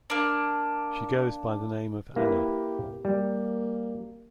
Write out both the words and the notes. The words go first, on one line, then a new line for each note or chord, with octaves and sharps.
She goes by the name of Anna.
A#3 D4
A#3 E4 G4 B4
G3 A#3